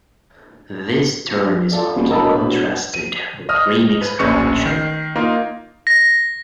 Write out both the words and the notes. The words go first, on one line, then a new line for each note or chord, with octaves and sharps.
This term is often contrasted with remix culture.
F4 A4 D5
D#1 B2
D1 A#4 D#5 A5 B5 E6
B4
D#7
D#5 D#6 F6
B4
D1 A#1 C#4 B4 C#6 C#7
D#3 C7
A#3 D#4 F4
A#6